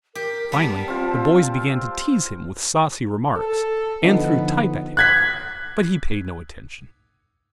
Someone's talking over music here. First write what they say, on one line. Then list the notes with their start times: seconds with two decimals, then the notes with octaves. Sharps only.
Finally the boys began to tease him with saucy remarks, and threw type at him; but he paid no attention.
0.15 G4 A#4
0.52 G3 B3 A#4 A5
0.88 C4 F4
3.36 A4
4.03 D3 F3 B3 D#4
4.97 F#6 G#6 B6